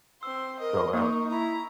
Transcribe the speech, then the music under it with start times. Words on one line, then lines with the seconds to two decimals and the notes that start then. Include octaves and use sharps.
go out.
0.23 C4 C6 E6
0.60 A#4 D#5
0.94 A#3 D#4 A#4 C#6
1.30 E4 A#5